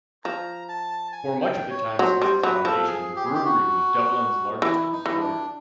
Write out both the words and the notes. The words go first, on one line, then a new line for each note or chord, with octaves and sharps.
For much of the time since its foundation, the brewery was Dublin's largest employer.
F3 A#5
A5
G#5
G5
C#5
F#3 C5
G3 C5
F#3 B4
F3 A4
G#4
G4
G#4
G4
F#4
E3 E4
D#4
E3
D4